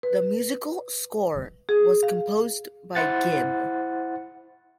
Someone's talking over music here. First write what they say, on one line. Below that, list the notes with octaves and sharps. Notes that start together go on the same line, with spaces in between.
The musical score was composed by Gibb.
B4
G#4
F5
E4 C5 F#5 A6